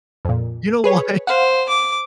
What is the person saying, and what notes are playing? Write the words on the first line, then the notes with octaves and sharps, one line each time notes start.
You know what?
F2 A#2
G#4 B4 C#5
C5 F5 F#5
D6